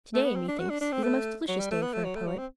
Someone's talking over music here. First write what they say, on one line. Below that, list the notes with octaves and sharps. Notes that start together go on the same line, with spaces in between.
Today, methinks, is a most delicious day for a poet.
A3
B3
C4
D4
F#4
D4
D4
C4
A3
F#3
G3
A3
B3
A3
F#3
A3
F#3
C4